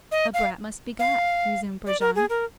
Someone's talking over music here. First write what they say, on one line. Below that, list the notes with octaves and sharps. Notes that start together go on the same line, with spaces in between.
"A brat must be got," resumed Brujon.
D#5
F5
F5
D5
A#4
G#4
A#4